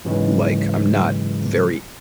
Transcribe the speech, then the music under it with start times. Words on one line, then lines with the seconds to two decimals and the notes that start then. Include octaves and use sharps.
like, I'm not very
0.05 G#2 C#3 E3 F#3 G#3